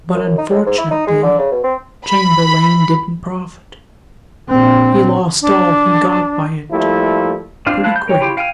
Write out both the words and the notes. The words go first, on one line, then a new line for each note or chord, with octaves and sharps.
But, unfortunately, Chamberlayne didn't profit--he lost all he got by it, pretty quick.
F#2
D#4
A2
G#2
E4
D#4
G#3
D3
C#3
B2
C4
B5
A#1 C4
D4
F3 G3 A3 A#3 E4
C4 D4 F4 F6
F3 E4 F5 A5 F#6
G6
A#4 C#5 G5
C#3 E4 F4 G4 G5
F5 G5 G#5 F6